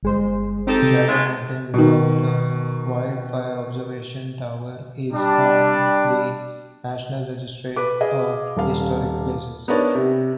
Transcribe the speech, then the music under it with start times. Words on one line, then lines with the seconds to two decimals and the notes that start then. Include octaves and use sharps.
Shadow Mountain Lookouta wildfire observation toweris on the National Register of Historic Places.
0.03 G1 G#3 C5
0.67 C4 D#4 G4 A4
0.82 C3
1.07 G#3 A3 B3
1.74 B2 D#3
5.13 G3 D4
7.76 B4 D6
8.01 G#4 D#5 F5
8.56 D#1 F5
9.68 B3 D4 D#4 A#4 C#5 D5
9.95 C3